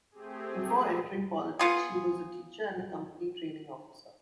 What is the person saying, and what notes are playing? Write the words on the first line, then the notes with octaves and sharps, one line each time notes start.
Before entering politics, she was a teacher and a company training officer.
A3 C4 G4 G#4
B3 F4 G#4